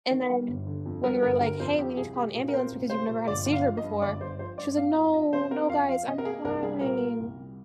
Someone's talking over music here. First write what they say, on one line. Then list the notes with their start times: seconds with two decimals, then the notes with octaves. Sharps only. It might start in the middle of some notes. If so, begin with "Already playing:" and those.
and then when we were like, "Hey, we need to call an ambulance because you've never had a seizure before." She was like, "No, no, guys, I'm fine,
0.11 D#3
0.30 G3
0.48 G1
0.67 D3
0.86 F2
1.03 G3 A#4
1.22 G1 A#4
1.41 D3 A#4
1.60 F2 C5
1.78 C4 G4
1.97 C2 G#4
2.16 G#3 G4
2.34 A#2 G#4
2.48 A#4
2.53 C4 C5
2.72 C2
2.90 G#3 C5
3.09 A#2
3.27 G1 D5
3.46 G1
3.52 F5
3.65 F3
3.77 D#5
3.84 G2
4.02 G1 D5
4.21 G1 C5
4.39 F3 C5
4.58 G2 D5
4.77 C4 F5
4.95 F2 D#5
5.14 F3 D#5
5.33 C3 C5
5.51 C4 A#4
5.69 F2 F5
5.88 F3 F5
6.07 C3 D#5
6.18 A#4
6.25 A#3 G#4
6.44 C2 A#4
6.63 G3 G#4
6.81 A#2 A#4
7.00 A#3
7.19 C2
7.38 G3